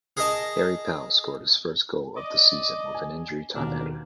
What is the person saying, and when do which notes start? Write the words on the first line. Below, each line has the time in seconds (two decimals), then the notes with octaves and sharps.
Harry Pell scored his first goal of the season with an injury time header.
0.17 G#4 A#4 D#5 A5
2.16 D5 D#5
2.94 G#5
3.56 D#2 B2 A#3 D4 A#4